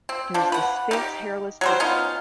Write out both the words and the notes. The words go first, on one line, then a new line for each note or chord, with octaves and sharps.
there's the Sphinx hairless, the
C4
F3 D4
B4 F#5
D#4 G4
F#3 G3 C5
B3 C#4 D#4 F4